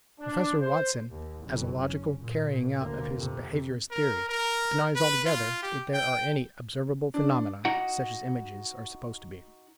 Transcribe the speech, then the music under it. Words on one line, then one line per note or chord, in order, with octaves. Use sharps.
Professor Watson, as a logical carrying-out of his behaviourist theory, denies altogether that there are any observable phenomena such as images are supposed to be.
D4
C5
D#2
F#1 F2
C#4
A#2
D2 A#3
F2 C3
A#4
A#4
B4
F4
G4
G5
D4
D#4 F#4 D#5 F#5